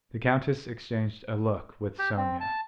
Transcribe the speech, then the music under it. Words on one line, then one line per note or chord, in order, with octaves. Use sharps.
The countess exchanged a look with Sonya.
G4
C4
A5